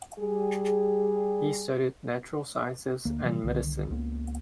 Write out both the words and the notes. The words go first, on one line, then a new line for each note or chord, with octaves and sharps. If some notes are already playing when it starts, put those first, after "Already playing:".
He studied natural sciences and medicine.
G3 G#4
D2 A#3
C3 E3 G3
C2 D3 D#3
C#2 A#3 B3